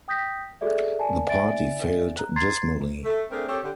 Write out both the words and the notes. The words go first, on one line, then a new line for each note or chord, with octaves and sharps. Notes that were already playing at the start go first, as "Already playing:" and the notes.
The party failed dismally.
G5 D#6 G6 A#6 B6
F#4 G#4 A4 D5 E5
A#4 D5 G#5 A5
D5 E5 G#5 A6 D7
A#5 F#6
A#5 C6 G#6 A6 C7
A3
A3 C4 D4 G#4 A#4
C4 G4 A4 C#5
D3 G4